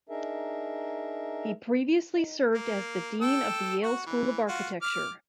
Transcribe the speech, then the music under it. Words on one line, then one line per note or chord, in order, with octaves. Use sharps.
He previously served as the Dean of the Yale School of Architecture.
D4 D#4 G#4 A#4 E5
D#4
A#3
A4 G5 E6
F#4 C#6
E3
F4 F#4
D6 F6